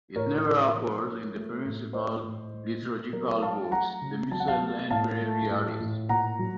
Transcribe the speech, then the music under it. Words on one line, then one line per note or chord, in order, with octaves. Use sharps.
It never occurs in the principal liturgical books, the missals and breviaries.
A2 A#4 C#5
F3
F3
A#3
A3
A2
A3 C5 D#5
A2
A3
A#2
F#3 A#4
A3 F5 A5
F#3 F#5 A#5
C#3
F#3 A5
F#5
F5 A5
A3
A2 F5 A5
A3
A2
A2
A#2 F#5 A#5
F#3